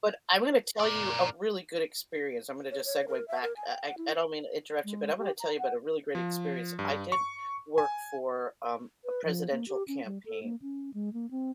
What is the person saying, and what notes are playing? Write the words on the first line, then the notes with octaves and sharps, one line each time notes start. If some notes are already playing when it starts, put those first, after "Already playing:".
But I'm gonna tell you a really good experience. I'm gonna just segue back. I don't mean to interrupt you, but I'm gonna tell you about a really great experience. I did work for, um, a presidential campaign
A#4 D5
C#5
C#5
A#4
E5
A#4
G#5
G5
F#5
E4
G#3
G4
A#5
F#5
F3
G2
C#6
G#5
B4
F3
A#3
G4
C#4
G3
A4
A#3
C#4
G#3
A#3
C4